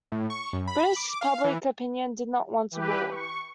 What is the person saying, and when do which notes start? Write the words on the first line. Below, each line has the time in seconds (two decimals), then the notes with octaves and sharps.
British public opinion did not want a war.
0.12 A2
0.30 C#6
0.53 F#2
0.67 B5
0.96 D6
1.21 F5
1.44 E3
2.71 E3 G4 B4
3.10 C#6